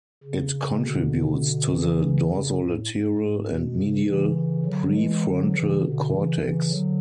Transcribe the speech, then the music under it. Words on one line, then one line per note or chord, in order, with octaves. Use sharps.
It contributes to the dorsolateral and medial prefrontal cortex.
C#3
B2 D3
C#3 E3
C#3
A2
G#2
G#2
B2
C#3
C#3 E3
D3 F#3
E3 G#3
D3 F#3
C#3 E3
B2 D3
C#3 E3
C#3 E3
D3 F#3